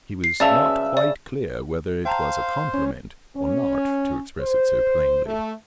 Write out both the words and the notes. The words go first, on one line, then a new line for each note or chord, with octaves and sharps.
He was not quite clear whether it was a compliment or not, to express it so plainly.
C7
C#3 D5 E5 A5 F7
D5
C5 F5 G5 A5 A#5
C#4
C#4
C5
A3